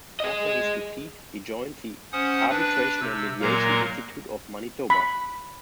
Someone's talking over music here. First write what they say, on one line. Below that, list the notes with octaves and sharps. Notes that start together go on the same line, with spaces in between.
After his defeat, he joined the "Arbitration and Mediation Institute of Manitoba".
G#4 D#5
C#4 C5 F#5 D#6
D4 B4
C3 E6
A#2 F#3 G#3 A#3 A#4 A#5
B5